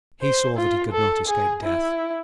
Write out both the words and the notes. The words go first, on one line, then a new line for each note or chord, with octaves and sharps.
He saw that he could not escape death.
C5
F4
A4
G#4
E4